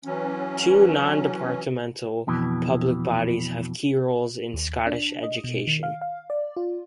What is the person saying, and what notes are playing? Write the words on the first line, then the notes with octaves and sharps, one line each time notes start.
Two non-departmental public bodies have key roles in Scottish education.
E3 F#3 C#4
F2 B2 E3
D#2
D4
D#5
B2
D#3
F5
F5
D5
F4